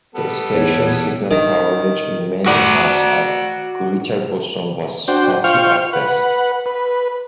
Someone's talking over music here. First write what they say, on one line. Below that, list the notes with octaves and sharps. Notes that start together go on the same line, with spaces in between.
The station's signal coverage in many parts of Greater Boston was spotty at best.
G3 B3 A4
E2 C#5
D#3
F#4 D5
D4 F#4 C5 G5
F4 C5 F5 G5 C#6 F6
B4 F#5
B4